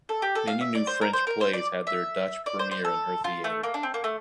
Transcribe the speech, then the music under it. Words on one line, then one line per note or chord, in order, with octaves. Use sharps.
Many new French plays had their Dutch premiere in her theatre.
A4
G4
A4
F5
E5
D5
C5
A#4
C5
A#4
C5
D5
E5
D5
C5
C5
A4
F4
A3
A#3
D4
C4
A#3
A3